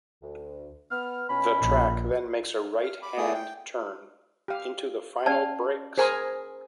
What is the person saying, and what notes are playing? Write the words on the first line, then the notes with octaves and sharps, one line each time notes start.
The track then makes a right hand turn into the final brakes.
D2
B3 F6
B2 C#4 B5
A#1
F6
B5 D6
A3 B3 E4 G#4 D5 D#6
G5
G4 F5
C#4 D5 F5 A5
G#4 A#4 C5 G#5 B5 C6